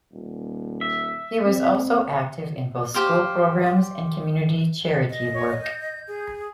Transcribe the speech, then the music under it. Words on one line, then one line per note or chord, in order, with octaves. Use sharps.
He was also active in both school programs and community charity work.
D#1
E5
C4
G4 C5 F5
D#5
C#5
G6
G#4